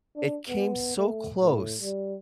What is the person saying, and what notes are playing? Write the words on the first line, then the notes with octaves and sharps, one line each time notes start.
It came so close
D4
B3
A3
A2
G3